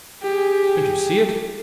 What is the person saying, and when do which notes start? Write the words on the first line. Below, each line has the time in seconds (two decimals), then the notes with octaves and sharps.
Don't you see it?
0.22 G4 G#4